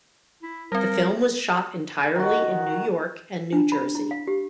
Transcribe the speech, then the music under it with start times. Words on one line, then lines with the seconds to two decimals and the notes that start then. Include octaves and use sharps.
The film was shot entirely in New York and New Jersey.
0.43 E4
0.72 G3 C4 A#4
2.15 D#3 F#4
3.53 D4
3.72 B5
3.95 E4
4.11 F5
4.27 G4